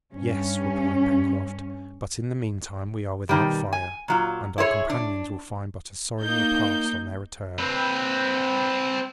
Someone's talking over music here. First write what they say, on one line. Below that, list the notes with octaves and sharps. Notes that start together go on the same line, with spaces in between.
"Yes," replied Pencroft; "but in the meantime we are without fire, and our companions will find but a sorry repast on their return."
G2 C#4
B2 D#3 G3
G#5
A#2 F#3 F4
E4 G#4 C5 C#5
D4
A#3 D#4 G6
C4 B4